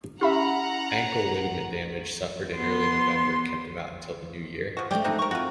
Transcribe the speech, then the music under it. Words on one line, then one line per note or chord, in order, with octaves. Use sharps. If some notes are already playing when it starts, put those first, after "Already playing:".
Ankle ligament damage suffered in early November kept him out until the new year.
C#4 E4 G4 E5 F#5 A#5 B5 F6
B3 C6
F3 F#4
G#3 A3 D5 G5
D3 C4 D#4
A#4 C#6
C4 F4 F#4